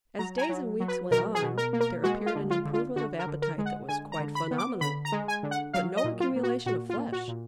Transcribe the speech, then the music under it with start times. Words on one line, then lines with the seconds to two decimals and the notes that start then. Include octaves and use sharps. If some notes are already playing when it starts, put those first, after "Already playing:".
As days and weeks went on, there appeared an improvement of appetite that was quite phenomenal, but no accumulation of flesh.
0.19 F#3 A#5
0.38 G#5
0.42 A#5
0.49 F#3
0.80 F#3
0.88 B4
1.11 B2 A#4
1.35 G#4
1.42 B2
1.58 A#4
1.73 A#3
1.81 A#4
2.03 G#3 F#4
2.26 F4
2.35 D3
2.51 F4
2.65 D3
2.73 F4
2.96 D3 F#4
3.19 A#4
3.27 D3
3.42 A#4
3.58 G#3
3.66 F#5
3.89 D3 G#5
4.12 A#5
4.20 D3
4.35 B5
4.51 B3
4.58 D6
4.81 D3 B5
5.05 A#5
5.12 G#3
5.28 G#5
5.43 D3
5.51 F#5
5.74 F#3 F5
5.97 D#5
6.04 A#2
6.20 F4
6.36 A#3
6.43 F#4
6.66 A#2 F#4
6.90 F4
6.97 A#2
7.12 F#4
7.28 A#2